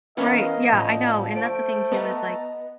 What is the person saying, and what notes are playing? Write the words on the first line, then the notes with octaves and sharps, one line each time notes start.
Right, yeah, I know, and that's the thing too, is, like,
E3 B3 C#4 A#4 D#5 F5
A2 D3 F3
A3 C5 D7
B3 D#5 A5 A#5